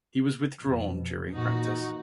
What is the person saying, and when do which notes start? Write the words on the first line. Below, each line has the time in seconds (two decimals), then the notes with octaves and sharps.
He was withdrawn during practice.
0.58 F2 B2
1.32 A#2 E3 D#4 F#4